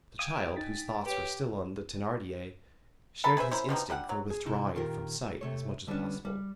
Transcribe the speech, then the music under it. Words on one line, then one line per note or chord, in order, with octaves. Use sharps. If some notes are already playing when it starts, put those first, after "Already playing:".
The child, whose thoughts were still on the Thenardier, shared his instinct for withdrawing from sight as much as possible.
F5 G5 G#5 D#6
D#4 A6 B6
G4 B4 C#5
A4 A#4 A5 B5
G#4 B4 C5 E5
C#4 E4 A#4 C5
B2 F3 G3 D#4
G3 D4 F#5
F#3
G#4
C3 D#4 E4
A#2 D#3 F4 G4 A#4
C3 A3 C#5
D3 G3 B3 C#4 D4
G3